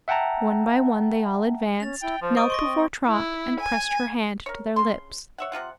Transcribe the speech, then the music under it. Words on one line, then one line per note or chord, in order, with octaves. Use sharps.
One by one they all advanced, knelt before Trot and pressed her hand to their lips.
E5 F#5 G5 A5 A#5
C#4 A6 F7
E4 G5
F3 C5
D#5 C#6 D#6 D7
C6 C#6 A#6
C4
E4
G#5
A#4 C#5
C#3 C6
C#5 E5 F#5
C3 D#3 F4 F#5